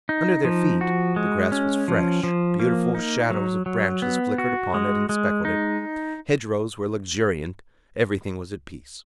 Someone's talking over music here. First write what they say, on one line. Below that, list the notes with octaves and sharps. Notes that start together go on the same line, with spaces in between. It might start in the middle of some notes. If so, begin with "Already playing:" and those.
Under their feet, the grass was fresh; beautiful shadows of branches flickered upon it, and speckled it; hedgerows were luxuriant; everything was at peace.
D#4
F3
F#4
G#3
C#4
F3
F3
A#3
D#4
F#3
F#3
B3
F#4
G#3
G#3
D#4